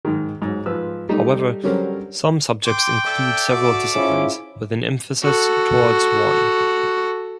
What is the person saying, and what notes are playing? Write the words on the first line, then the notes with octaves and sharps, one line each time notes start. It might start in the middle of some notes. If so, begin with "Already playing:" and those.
However, some subjects include several disciplines, with an emphasis towards one.
G#2 D#3
G#2 F#3
G#2 F3 F4 B4 E6
G3 A3 D#4
D3 F#3 G3 C#4 A#4 C5
G5 C6 D6
A4 D5 E5
F#4 D6
G#2 C#4 E4 F4
F#4 A4